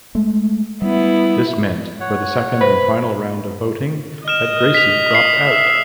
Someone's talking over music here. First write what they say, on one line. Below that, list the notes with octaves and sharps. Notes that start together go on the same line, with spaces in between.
This meant for the second and final round of voting that Gracie dropped out.
G#3 A3
G3 B3 E4
C#5 F#5
B4 C5 E5
D#5 F6 E7
B6 F7
D#6 C7
E5